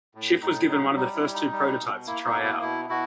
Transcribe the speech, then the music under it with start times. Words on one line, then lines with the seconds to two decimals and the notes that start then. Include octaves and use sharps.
Schiff was given one of the first two prototypes to try out.
0.15 A2
0.41 A2 D#4
0.69 F#3 D#4
0.96 G3 D#4
1.15 E4
1.24 G3
1.33 D#4
1.52 G3
1.80 B2
2.07 A#3 E4
2.25 D#4
2.35 B2
2.44 E4
2.62 B2 E4
2.89 B2 E4 F#4